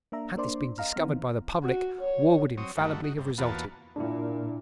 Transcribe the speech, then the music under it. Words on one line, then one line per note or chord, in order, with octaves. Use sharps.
Had this been discovered by the public, war would infallibly have resulted.
A#3 D4 E5 A#5
A#3 D4 C5 D5 C6
D#5 F5 A#5 F6
D#3 E3 B3 C4
F#4
C#5
F#3 C4 C#5 D#6
G2 D#3 A3 F#4
D#4 F#4
G2 C3
E2 A#3 B3 F4 F#4 A5
A#2 D4 E4